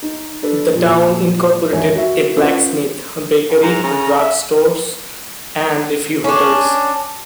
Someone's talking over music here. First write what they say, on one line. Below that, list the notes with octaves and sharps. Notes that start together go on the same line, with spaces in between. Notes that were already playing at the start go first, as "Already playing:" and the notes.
The town incorporated a blacksmith, bakery, drug stores, and a few hotels.
D#4
D4 A4 B4
F2 A#2
G#1 E2 E4 C#5 G#5
F#4 E5
C#4 F4 B4 C5
C#2
G#2 A#5
C#3
E5
C#4 D4